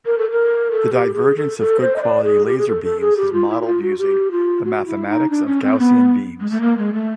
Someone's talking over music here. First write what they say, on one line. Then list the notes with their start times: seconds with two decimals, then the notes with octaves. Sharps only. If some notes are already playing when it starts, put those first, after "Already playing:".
The divergence of good-quality laser beams is modeled using the mathematics of Gaussian beams.
0.06 A#4
0.18 A4
0.31 A#4
0.71 A4
0.93 G4
1.14 G#4
1.37 A4
1.59 A4
1.80 C5
1.96 D#5
2.02 D5
2.24 G#4
2.46 G4
2.58 G#4
2.68 A4
2.84 A4
3.01 G#4
3.17 G4
3.33 F4
3.49 E4
3.62 F#4
3.66 F4
3.82 F#4
3.98 G4
4.31 F4
4.64 F#4
4.86 E4
5.08 D#4
5.30 D4
5.46 C#4
5.63 C4
5.79 B3
6.40 G#3
6.50 A3
6.61 A#3
6.78 G#3
6.94 A3